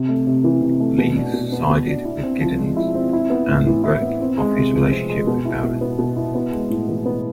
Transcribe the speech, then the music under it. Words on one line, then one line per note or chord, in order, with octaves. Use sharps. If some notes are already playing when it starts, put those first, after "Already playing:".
Leese sided with Gittens and broke off his relationship with Baron.
Already playing: C3
A3
C3
E3
C3
A3
B2
D4
B2
B3
B2
D4
E4
C4
F3
G#3
E4
C4
E4
B3
A2
E3
E4
B3
C4
G#3
C3
F3
C4
G#3
B2
E4
B2
B3
B2
E4
B3
G#3
A2
E3
B3